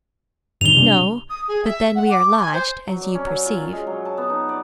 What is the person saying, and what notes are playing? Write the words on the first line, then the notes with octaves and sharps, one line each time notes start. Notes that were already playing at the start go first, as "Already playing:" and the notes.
"No; but then we are lodged, as you perceive."
G2 D#3 F7 G7
C3 G3 D4
D#6
G#4
E5
F#5
D6
G#5
C5
F#3
D5
C#4
F#3
F4
C#4
G#3
F#3
A5
B3
D#4
D5